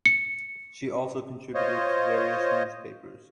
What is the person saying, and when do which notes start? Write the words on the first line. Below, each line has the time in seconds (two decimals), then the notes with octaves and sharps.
She also contributed to various newspapers.
0.06 C#7
1.55 F4 C5 C#5 D#5